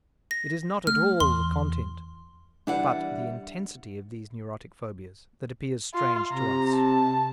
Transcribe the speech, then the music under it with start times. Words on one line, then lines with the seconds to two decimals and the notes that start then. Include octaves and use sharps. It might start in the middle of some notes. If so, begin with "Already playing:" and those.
It is not at all the content but the intensity of these neurotic phobias that appears strange to us.
0.31 A#6
0.87 A3 F6
1.20 E2 E3 C6
2.67 E3 G3 D4 E4 F#5
5.94 F4
6.33 C3 A#5
6.76 A5